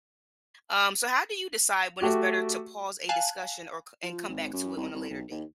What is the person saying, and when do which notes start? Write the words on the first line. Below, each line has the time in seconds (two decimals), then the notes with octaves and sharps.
Um, so how do you decide when it's better to pause a discussion, or c and come back to it on a later date?
2.01 A3 F#4 G4
3.09 F5 G#5 A5 F#6
4.03 F3
4.28 G#1
4.53 F#2
4.77 C2
4.94 C2
5.10 B1
5.31 D#2